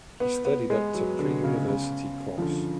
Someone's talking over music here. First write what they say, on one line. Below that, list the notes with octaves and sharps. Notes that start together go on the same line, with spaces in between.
He studied up to Pre University Course.
B3
B3
G#3
F#3
D3
C#3
C#3
F3
D3